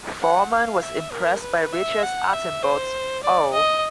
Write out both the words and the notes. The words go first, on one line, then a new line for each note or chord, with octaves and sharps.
Foreman was impressed by Richard Attenborough's Oh!
F#5
F5
E5
A#4
B4
E5
F#5
E5
C5
D5
D#5